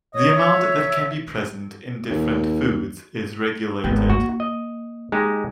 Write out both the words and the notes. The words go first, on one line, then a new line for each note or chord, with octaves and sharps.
The amount that can be present in different foods is regulated.
C#5 D#5
E5
D#2
G#1 B3 G5
A#3 F#4
D#5
G#3 D#4 G4